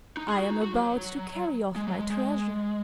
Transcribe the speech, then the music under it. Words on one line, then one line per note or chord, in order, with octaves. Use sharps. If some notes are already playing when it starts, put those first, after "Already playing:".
I am about to carry off my treasure.
D#4
G#4
F#4
D#4
F#4
F#3
G#3
F#3
G#3
G#3